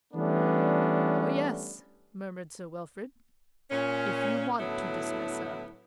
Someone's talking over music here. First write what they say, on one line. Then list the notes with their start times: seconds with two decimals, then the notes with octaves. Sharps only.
"Oh yes," murmured Sir Wilfrid, "if you want to dismiss her."
0.14 E3 G3 A3 B3 C#4 D4
3.71 A#2 C#4
4.60 A2 D3 F#3 B3 E4